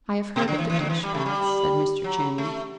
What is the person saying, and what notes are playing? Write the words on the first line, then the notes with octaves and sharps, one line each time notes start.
"I have heard of the douche baths," said Mr. Channing.
B2
D3
E3
E3
D3
E3
G3
A3
G3
F#3
A3